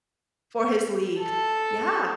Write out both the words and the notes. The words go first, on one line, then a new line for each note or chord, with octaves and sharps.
for his league. Yeah.
A4